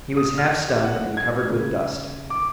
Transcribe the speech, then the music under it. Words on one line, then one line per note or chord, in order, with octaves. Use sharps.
He was half stunned and covered with dust.
D#6
F6
G4
F#5
G#6
C#3
D6